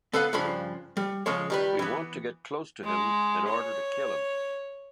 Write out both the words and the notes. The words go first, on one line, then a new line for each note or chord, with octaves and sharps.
We want to get close to him in order to kill him.
B3 A4 B4 F5 F#5
G2 C#3 F3 D4 B5
G3
C#3 F3 G#3 C#5
D#3 G3 B4
E3 B3
G#3
C#5